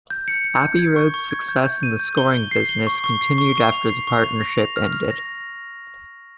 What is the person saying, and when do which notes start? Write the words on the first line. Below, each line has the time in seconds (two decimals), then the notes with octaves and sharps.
Abbey Road's success in the scoring business continued after the partnership ended.
0.10 G6
0.28 C#7
0.44 C#7
0.62 G6
0.79 G#6
0.96 C#6
1.14 C#6
1.31 G#6
1.49 G6
1.66 G6
1.83 D#7
1.99 G6
2.17 G7
2.34 G7
2.51 C7
2.69 G7
2.87 C#6
3.04 C#6
3.21 C7
3.38 C#6
3.56 C#6
3.72 F7
3.89 C7
4.07 C#6
4.24 F7
4.41 A#6
4.58 F7
4.76 F6
4.93 F6
5.11 A#6